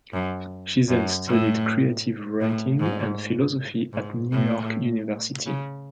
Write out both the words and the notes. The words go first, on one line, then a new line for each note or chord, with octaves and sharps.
She then studied creative writing and philosophy at New York University.
F#2
F#2
A2
A2
G#2
G#2
A2
C#3